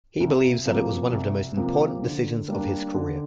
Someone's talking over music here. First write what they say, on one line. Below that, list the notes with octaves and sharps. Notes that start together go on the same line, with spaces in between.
He believes that it was one of the most important decisions of his career.
C2
C3 F3 A#3
C2
C3 F3 A#3
D3
G3 A#3 D4
D3